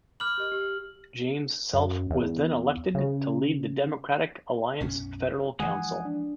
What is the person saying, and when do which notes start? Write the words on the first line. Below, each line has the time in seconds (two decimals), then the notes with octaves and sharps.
James Selfe was then elected to lead the Democratic Alliance Federal Council.
0.20 B5 D6 F6 F#6 F#7
0.38 G4 A#4 D#5
0.52 G4 E6
1.74 F#2
2.10 E2
2.95 C#3
4.81 B1 F#2 C#4
5.59 E3 F3 G#3 F#5 G#5 D#6
6.05 D4